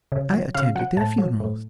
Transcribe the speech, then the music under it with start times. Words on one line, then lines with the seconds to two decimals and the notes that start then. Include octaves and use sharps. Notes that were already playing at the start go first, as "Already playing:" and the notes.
I attended their funerals.
0.12 C#3
0.32 F#3
0.55 C#3 F5
0.75 F#3 F#5
0.97 A2 A5
1.18 F#3
1.40 A2